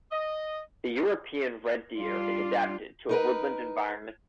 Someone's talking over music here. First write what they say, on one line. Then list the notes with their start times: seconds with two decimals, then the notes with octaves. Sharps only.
The European red deer is adapted to a woodland environment.
0.11 D#5
1.97 G3 D4 F4 D5
3.09 D#4 A#4 B4